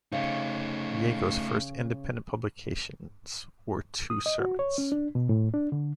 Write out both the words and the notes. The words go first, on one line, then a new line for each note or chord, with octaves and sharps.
Jago's first independent publications were two sermons.
C#3 A3 D#4
D#6
D#5
F#4
C#5
C#4
D4
B2
A2
D4
D3